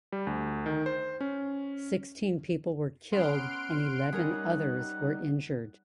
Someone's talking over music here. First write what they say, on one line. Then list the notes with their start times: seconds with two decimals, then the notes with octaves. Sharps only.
Sixteen people were killed and eleven others were injured.
0.12 G3
0.27 D2
0.66 D#3
0.86 C5
1.21 C#4
3.12 B3 C#4 F#5 C6 F6 D7
4.12 G3 D#4 G#4 A#4 C#5